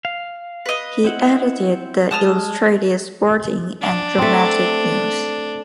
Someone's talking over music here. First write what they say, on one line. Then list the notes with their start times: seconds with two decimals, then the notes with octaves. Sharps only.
He edited the "Illustrated Sporting and Dramatic News".
0.05 F5
0.66 B4 D#5
1.04 C4 E4 F#5
2.11 G#3 A5 D#6 F6
3.81 D4
4.18 A3 C4